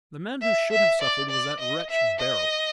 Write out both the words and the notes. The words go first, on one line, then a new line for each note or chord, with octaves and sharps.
"The man who should have suffered was that wretch Beryl."
E5
E5
D5
D5
D#5
E5
D#5